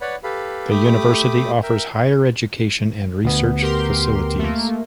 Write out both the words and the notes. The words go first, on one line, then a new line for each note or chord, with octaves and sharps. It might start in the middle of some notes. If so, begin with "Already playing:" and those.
The university offers higher education and research facilities.
B4 C#5 D5 F#5 B5
G4 A4 B4 F5 B5
A3 G4 B5 D6 D#6
A#4 E5 G5
D2 B3
G4 A#4 C6
A3 A#3